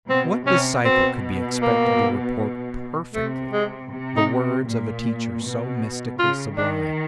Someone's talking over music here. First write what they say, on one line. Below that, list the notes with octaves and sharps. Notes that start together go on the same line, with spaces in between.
What disciple could be expected to report perfectly the words of a teacher so mystically sublime?
B2 C4
C3 C#4
B2 C4
A#3
C3 A3
G#3
C3
D#4
A#2
B2
C#3 F4
D#3 D4